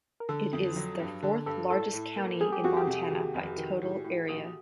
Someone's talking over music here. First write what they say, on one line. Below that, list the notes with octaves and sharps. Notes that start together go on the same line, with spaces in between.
It is the fourth-largest county in Montana by total area.
A#4
D3 A4
F2
F#3
G2
D3 A4
G2 A4
A2 A4
A2
A#3
G3 G#4
G4
F2 F#4
G4
C3
D#2
F1
D#3
A2
A2
A#1